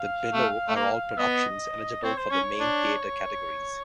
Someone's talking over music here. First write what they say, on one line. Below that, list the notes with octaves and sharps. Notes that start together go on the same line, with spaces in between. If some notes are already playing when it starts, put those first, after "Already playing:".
The below are all productions eligible for the main theatre categories.
Already playing: F5
A3
A3
A#3
B3 D#5
C4 C#5
C5
C#4 C#5
D4